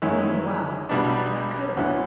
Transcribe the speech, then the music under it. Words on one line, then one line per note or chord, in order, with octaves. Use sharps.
I don't know why, but I couldn't.
F#2 D#3 G#3 C#4 E4
B1 B2 G3 B3 D4
D2 D3 F#3 B3 E4